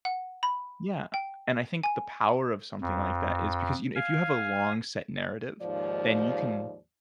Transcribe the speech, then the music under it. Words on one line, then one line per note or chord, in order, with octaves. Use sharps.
Yeah, and I think the power of something like that is because you know, if you have a long set narrative, then you can
F#5
B5
G5
G#5
F2
F5 G#5
D#2 G#2 F3 D5